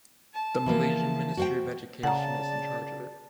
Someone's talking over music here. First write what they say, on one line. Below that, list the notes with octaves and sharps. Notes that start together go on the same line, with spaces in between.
The Malaysian Ministry of Education is in charge of it.
A5
E3 F3 A#3
F#4 C5 G5
C#3 D5 F#5 A5 A#5